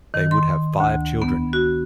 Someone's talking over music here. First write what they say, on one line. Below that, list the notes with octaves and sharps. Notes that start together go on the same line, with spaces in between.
They would have five children.
D#3
C6
D2
B3
F#4